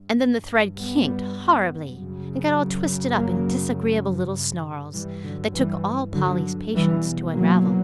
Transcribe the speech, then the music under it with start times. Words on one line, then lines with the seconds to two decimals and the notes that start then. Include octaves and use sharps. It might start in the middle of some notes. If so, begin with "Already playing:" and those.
And then the thread kinked horribly, and got all twisted up in disagreeable little snarls that took all Polly's patience to unravel.
Already playing: G2
0.75 G3 B3
1.95 F#2 C#3
3.15 F#3 A#3
4.34 G2
4.94 E3 G3
5.24 D3 F#3
5.54 E3 G3
6.13 D3 F#3
6.74 E2 B2 E3 G3
7.33 F#3 A#3